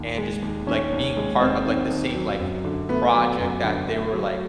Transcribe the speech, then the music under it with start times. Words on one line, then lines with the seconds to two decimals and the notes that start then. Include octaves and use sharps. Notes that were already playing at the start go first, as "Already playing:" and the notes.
and just, like, being a part of, like, the same, like, project that they were, like,
Already playing: D#2
0.18 G#3
0.42 D#2
0.67 D#3 C#4
0.92 D#2
1.17 G#3
1.41 D#2 C4
1.66 D#3
1.91 D#2
2.15 F#3
2.40 F#2
2.65 D3
2.89 A3 B3
3.14 F#3
3.39 F#2
3.64 D3
3.88 A3
4.13 F#3